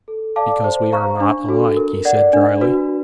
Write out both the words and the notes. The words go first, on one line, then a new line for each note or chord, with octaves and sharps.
"Because we are not alike," he said drily.
A4
D5 F5 A5 D6
C5
F5 A#5 C#6
D4
F#4 A4
A#4
D5 F#5
D4
F#4 B4